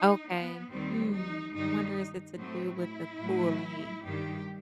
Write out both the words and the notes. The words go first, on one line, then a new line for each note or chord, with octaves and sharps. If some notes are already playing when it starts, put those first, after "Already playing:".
Okay. Hmm, I wonder is it to do with the cooling.
Already playing: D#4
B3
D#2 D#3 G3 C4
D#4
G2 D#3 G3 D#4
A2 F#3 A3 C4
E4
A2 F#3 A3
G2 D#3 G3 G4